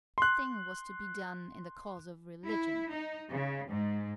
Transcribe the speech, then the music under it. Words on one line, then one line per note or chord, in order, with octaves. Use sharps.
The thing was to be done in the cause of religion.
C6 F#6
E4
D#4
C#3
G#2